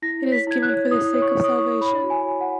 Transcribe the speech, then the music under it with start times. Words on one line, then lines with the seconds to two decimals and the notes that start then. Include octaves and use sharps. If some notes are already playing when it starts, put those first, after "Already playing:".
It is given for the sake of salvation.
0.02 E4 A#6
0.25 C#5
0.32 B6
0.47 E4 G#6
0.62 F#6
0.70 C#5
0.91 E4 D#6
1.14 C#5
1.22 C#6
1.37 C#5
1.44 D#6
1.51 C#6
1.58 E4
1.81 C#5 B5
2.03 F#4
2.10 G#5
2.25 C#5
2.41 F#5